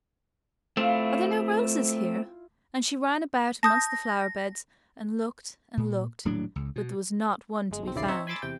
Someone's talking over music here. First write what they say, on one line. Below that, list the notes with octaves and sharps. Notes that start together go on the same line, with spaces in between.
"Are there no roses here?" and she ran about amongst the flowerbeds, and looked, and looked, but there was not one to be found.
A3 C4 E4 F4 F5
A5 D#6 G6 A#6
A#2
D#1 A2 F#3 D4
C#2
B2
G1 G#3
B1 C4
A#1 D#2 C#3 E4 D5 C7
C4 D#4 C#5 E5
G#5 B5 C6 D6 E6 A6
E2 C3 G5